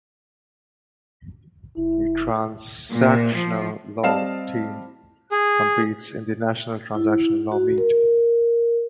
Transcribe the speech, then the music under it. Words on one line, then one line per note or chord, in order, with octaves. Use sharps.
The Transactional Law Team competes in the National Transactional Law Meet.
F#1 E4
A#2
F3
G3 C4 D#5 F5 A5 E7
G#4
E4
F#4
A#4